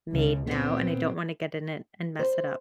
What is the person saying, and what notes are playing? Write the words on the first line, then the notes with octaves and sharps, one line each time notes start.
made now, and I don't wanna get in it and mess it up.
C#2 C#3
A#2 B3 C4
C5